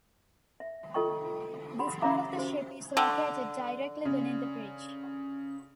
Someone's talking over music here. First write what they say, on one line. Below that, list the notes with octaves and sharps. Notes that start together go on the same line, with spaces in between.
This part of the ship is located directly beneath the bridge.
E5
F4 A4 D#5 G5 C#6
G4 F#5 B5 C6
C#4 C#5 E5 F5 A#5 D6
F#4 G4 C5
D3
C#3